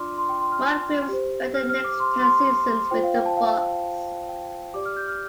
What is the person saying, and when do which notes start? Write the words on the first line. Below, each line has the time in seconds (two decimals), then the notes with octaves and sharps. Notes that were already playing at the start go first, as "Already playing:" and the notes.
Moncrief spent the next ten seasons with the Bucks.
Already playing: D4 F4 D5 C6 D6 F6
0.18 C6
0.29 G5
0.41 C6
0.52 F6
1.08 G4 C5
1.54 F6
1.69 F6
1.84 D6
2.00 C6
2.23 C6
2.91 F4 C5 G5
3.03 F5
3.15 G5
3.26 A5
3.37 F5
4.29 G5
4.74 G4 D5 D6
4.85 F6
4.97 G6
5.08 F6